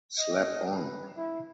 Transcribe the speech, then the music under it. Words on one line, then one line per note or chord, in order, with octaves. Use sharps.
Slap on!
D#5
B4
E4